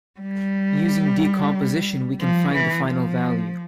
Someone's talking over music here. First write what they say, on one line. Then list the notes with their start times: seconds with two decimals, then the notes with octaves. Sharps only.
Using decomposition we can find the final value.
0.20 G3
2.20 F3
2.54 E3
2.88 F3